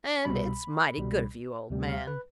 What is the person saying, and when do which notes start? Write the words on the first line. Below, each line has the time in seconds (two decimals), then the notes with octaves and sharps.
And it's mighty good of you, old man.
0.25 C2 B2 G3 B5
0.98 C2 B2 G3
1.70 D2 C3 G3
1.89 F5
2.07 B4